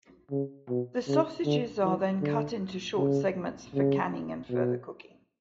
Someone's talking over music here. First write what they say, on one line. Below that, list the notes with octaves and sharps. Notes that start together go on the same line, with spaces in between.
The sausages are then cut into short segments for canning and further cooking.
C#3
B2
C#3
D3
E3
D3
C#3
C#3
B2